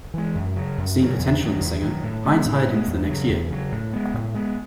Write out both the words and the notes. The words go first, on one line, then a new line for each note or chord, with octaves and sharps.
Seeing potential in the singer, Hines hired him for the next year.
E3 G#3
F#2
C#3 F#3
F#2
C#3 F#3
E2
D#3 F#3
E2
D#3 F#3
A2
G#3 B3
A2
G#3 B3
E2
C#3 F#3
E2
C#3 F#3
A2
G#3 B3
A2
G#3 B3